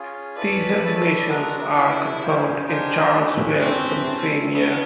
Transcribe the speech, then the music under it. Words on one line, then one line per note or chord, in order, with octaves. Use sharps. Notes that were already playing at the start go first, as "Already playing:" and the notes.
These resignations are confirmed in Charles's will from the same year.
Already playing: C#4 F4 G#4
C#4 E4 A4 B4 D5
C#4 E4 A4 D5
G#3 B3 D4 F#4 A4 A#4
G#3 B3 D4 E4 F#4 A4
D#4 G4 C5 F5 G#5
D4 D#4 G4 C5 F5 G#5
A3 C#4 E4 G4 B4
A3 C4 C#4 E4 G4 B4
C#4 E4 A4
B3 C#4 E4 A4